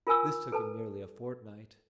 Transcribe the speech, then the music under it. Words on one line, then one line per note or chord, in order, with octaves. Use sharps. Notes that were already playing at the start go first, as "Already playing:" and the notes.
This took him nearly a fortnight.
F4 A#4 G#5 E6
A4 B4 A5